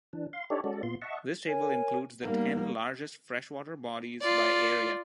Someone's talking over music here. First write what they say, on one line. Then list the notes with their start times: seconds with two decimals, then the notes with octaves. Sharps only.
This table includes the ten largest fresh water bodies by area.
0.13 E3 D4
0.33 F5 C6
0.50 D4 D#4 G4 A4 C#5 D5
0.64 G#3 C#4 F#4 A4 D5
0.83 A#2 B3 F4 C6
1.02 D#5 E5 F#5 A5 C#6
1.47 A#4 C#5 G#5
2.23 G3 A#3 B3 D#4
4.21 F4 D5